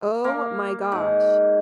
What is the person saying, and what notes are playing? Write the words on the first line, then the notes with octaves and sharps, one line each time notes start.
Oh my gosh.
A#3
G#2